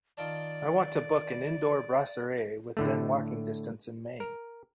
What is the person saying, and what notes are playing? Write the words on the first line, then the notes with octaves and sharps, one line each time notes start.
I want to book an indoor brasserie within walking distance in Maine.
D#3 F4 D5 A5
A2 D3 A3
A#4